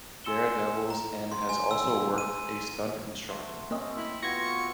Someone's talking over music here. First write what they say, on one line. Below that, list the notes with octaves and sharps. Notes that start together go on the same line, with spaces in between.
Daredevils and has also worked a stunt instructor.
G#5 C6 E6 C#7 E7 G7
A#5
C6
G#5
E6
D#7
A3 C5 F#5
F#3 A#3 C4 C#4 D#5
E4 F#6
B3 F4 F#4 C#6 G#6 A#6